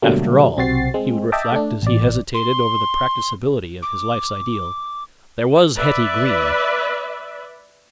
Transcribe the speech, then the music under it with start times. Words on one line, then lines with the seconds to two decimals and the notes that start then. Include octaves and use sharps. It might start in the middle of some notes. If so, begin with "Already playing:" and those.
"After all," he would reflect as he hesitated over the practicability of his life's ideal, "there was Hetty Green."
0.02 B2 D3 F#3 G3 A3 A#3
0.57 B1 C3 C4 F#4 A6 C7
0.94 G#3 C4
1.32 D#5 E5 G5 A5 D6
1.52 A3 D4
1.82 A1 D5
2.34 C6
3.82 D6
5.77 B4 D5 E5